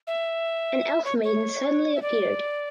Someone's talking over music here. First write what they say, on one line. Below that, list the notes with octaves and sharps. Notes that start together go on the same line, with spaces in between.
An elf maiden suddenly appeared.
E5
C#5
C#5
E5
D5